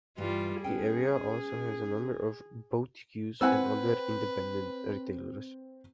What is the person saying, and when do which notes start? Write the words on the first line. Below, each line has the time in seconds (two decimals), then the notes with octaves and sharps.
The area also has a number of boutiques and other independent retailers.
0.18 G2 E3 G3 F4
0.64 B3 C#4 G#4 G5
3.41 C4 B4 C5 F#5 G#5 E6